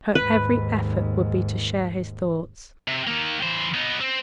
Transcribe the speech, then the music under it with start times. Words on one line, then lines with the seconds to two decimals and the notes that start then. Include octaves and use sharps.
Her every effort would be to share his thoughts.
0.15 D#2 G#2 B4
2.88 C3
3.08 D#3 A#3
3.43 E3 C5
3.74 B3 D#4
4.00 C4